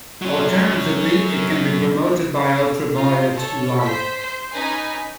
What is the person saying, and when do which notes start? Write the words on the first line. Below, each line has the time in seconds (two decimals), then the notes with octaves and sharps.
Alternatively, it can be promoted by ultraviolet light.
0.22 F#3 C#4
2.92 D#4 F4
3.34 A4 C#5
3.80 C5 B6
4.20 C5
4.52 C#4 D#4 B4 G#5